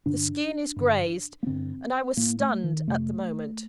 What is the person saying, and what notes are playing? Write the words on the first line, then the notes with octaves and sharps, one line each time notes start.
'The skin is grazed, and I was stunned at the moment.
G2 D3 D4
G2 D3
A#3
G2 D3 C4
A2 A#3
A3
D#3
F2 C3 A3